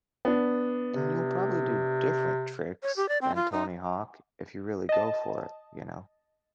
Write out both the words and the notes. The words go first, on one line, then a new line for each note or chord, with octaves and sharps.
and you'll probably do different tricks than Tony Hawk if you really go for it, you know.
B3 D4
C3
C#5
G4
D5
C4
F4
D#4
D#5 A5